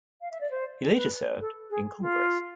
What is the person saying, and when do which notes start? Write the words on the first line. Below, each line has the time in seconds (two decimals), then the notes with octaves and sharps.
He later served in Congress.
0.21 F5
0.31 E5
0.40 D5
0.50 C5
0.95 B4
1.40 A4
1.70 G#4
2.00 F4